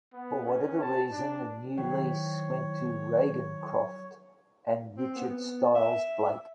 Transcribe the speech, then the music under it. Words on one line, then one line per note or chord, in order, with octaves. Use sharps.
For whatever reason the new lease went to Raingecroft and Richard Stiles Blake.
B3
C#4
A5
D4
D#3 F#3 E4 C5 C#5 G5
C4
B3
E5